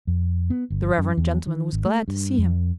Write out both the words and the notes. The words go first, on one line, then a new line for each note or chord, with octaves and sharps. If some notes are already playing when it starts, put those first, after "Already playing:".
The reverend gentleman was glad to see him.
F2
B3
G1
F#2
E2
D#3
G#1
A3
G2
F2